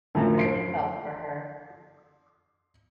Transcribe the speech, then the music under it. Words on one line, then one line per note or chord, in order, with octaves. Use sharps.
I really felt for her.
F#2 A2 D3 F3
C6 C7 D7